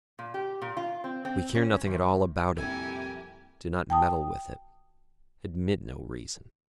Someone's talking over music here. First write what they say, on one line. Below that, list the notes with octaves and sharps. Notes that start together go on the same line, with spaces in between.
We care nothing at all about it, do not meddle with it, admit no reason.
A#2
G4
A#2
F4
C4
C4
C#4
E2
C2 F2 A#2 E4 G4 A4 A#4 G#5
G5 A5 D#6